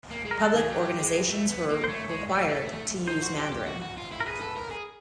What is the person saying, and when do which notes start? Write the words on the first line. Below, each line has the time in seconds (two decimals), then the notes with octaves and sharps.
Public organizations were required to use Mandarin.
0.11 A#3
0.25 G#3
0.31 A#4
0.40 G#3 A4
0.55 D#3 G#4
0.70 F#3 G4
0.99 G#3
1.29 A3
1.49 B3
1.69 A#3
1.84 C5
1.89 A3 C#5
2.09 G#3
2.29 A3
2.48 A3
3.07 D#4 C5
3.22 F#4
3.37 G4
3.53 G4
3.67 F#4
3.82 F#4
3.97 F4
4.12 E4
4.20 A#4
4.27 G#4 B4
4.41 A4
4.57 A#4
4.71 G#4